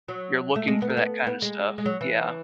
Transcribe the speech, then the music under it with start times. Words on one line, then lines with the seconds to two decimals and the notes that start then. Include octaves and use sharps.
you're looking for that kinda stuff. Yeah.
0.08 F#3
0.56 A3
0.68 G#3
0.82 B3
0.90 A3
0.97 B3
1.27 B3
1.42 G#3
1.78 G#3
1.86 F#3
2.01 E3